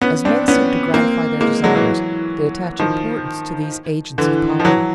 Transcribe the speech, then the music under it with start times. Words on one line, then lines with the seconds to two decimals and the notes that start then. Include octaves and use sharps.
As men seek to gratify their desires, they attach importance to these agents of power.
0.02 B3 C#4
0.25 C4 D4
0.48 B3 C#4
0.94 A#3 C4
1.41 G#3 A#3
1.64 F#3 G#3
1.75 E3 F#3
2.79 D#3 F3
4.18 D3 E3
4.60 F3
4.64 E3 F#3